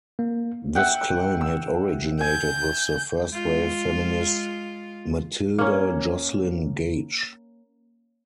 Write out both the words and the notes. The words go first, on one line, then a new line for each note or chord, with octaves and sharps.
This claim had originated with the first-wave feminist Matilda Joslyn Gage.
A#3
E5 F#5 G5
E6
G#5 G6
G#3 F4
A#3 C#4